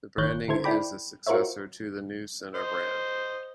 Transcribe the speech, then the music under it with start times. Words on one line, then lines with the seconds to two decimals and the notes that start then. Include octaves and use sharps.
The branding is a successor to the NewsCenter brand.
0.18 G1 D#3 C#5 F#6 G6
0.48 D3 E4 A4 C5 G#6
0.64 E4 A4 D5 G5 B5 D6
1.27 F4 F#4 A#4 C5 C#5 E5
2.55 C5 D#5